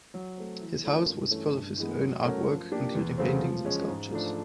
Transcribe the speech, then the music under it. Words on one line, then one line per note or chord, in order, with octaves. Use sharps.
His house was full of his own artwork, including paintings and sculptures.
F#3
A3 C4
E3
A3 C#4 F4 A#4
G2
E3 A3 C#4
G2
E3 G#3 B3
F#3
A3 C#4 F#4 A#4
F3
A#3 D4 G4
E2
C#3 F#3 A3 C4
F3
G#3 C#4
G#2
F3 A3 D4